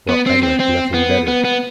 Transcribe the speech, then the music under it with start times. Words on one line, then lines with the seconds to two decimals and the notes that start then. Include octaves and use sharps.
Well, I'd like nothing better.
0.09 B3
0.26 C4
0.43 C4
0.60 C4
0.94 B3
1.28 B3
1.45 B3